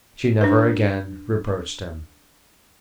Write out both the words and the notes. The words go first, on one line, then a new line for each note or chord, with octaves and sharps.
She never again reproached him.
D4 B4